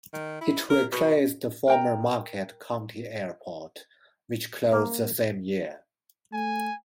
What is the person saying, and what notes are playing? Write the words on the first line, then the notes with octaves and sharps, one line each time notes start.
It replaced the former Marquette County Airport which closed the same year.
D#3
E4
A#4
B2
A#4 G5 A#5
A#3
A3 G#5